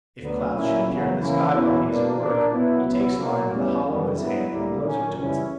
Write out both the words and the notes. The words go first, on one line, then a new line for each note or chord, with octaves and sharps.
If clouds should appear in the sky while he is at work, he takes lime in the hollow of his hand and blows it towards them.
D2 D3 F#3 B3
A#2 F#3 A#3 C#4 E4
E2 C#3 F#3
C#3 E3 A#3 C#4 E4
E2 B2 F#3 C#4 E4
B2 A#3 D4
A#2 A#3 D4
B2 F#3 B3 E4
C#2 B2 F#3 B3 E4
B2 F#3 A#3
E2 C#3 E3 G3
F#2 E3 G3 B3
G2 F#3 B3 E4
D2 D3 G3 A#3 E4
A#2 F#3 A#3 C#4
C#3 E3 G3 C#4 E4